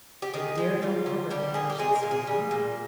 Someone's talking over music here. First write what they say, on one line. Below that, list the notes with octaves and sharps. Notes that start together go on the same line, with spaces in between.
It dare no longer banish us from God.
G4
D#3 G#4
G#3
G3 F4
D3
G3 G4
A#2 G#4
G4
G#3 G#4
A#4
A#2
G#4
G3
A#2